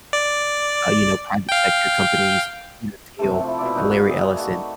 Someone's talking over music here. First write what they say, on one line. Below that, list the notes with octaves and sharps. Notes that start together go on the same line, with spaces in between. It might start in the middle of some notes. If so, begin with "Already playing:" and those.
uh, you know, private sector companies, you know, Peter Thiel and Larry Ellison,
D5
F5 G5
C3 A3
F3 E4
B2 E4 D5
A#3 D#4 F#4
G#4 D5 E5
A3 D#4 F#4